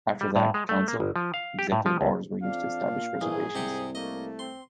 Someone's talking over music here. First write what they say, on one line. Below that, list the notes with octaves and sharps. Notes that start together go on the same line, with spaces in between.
After that council, executive Orders were used to establish reservations.
G3
A2
G#3
A3
A#3
G1
F3
F5
G4
A2
F3
C#2
F2 D4 F5
A#2
A#1 G#2 E3 G#4
C2 C3 G4 F#5
A3 A#3 D#5
C4 C6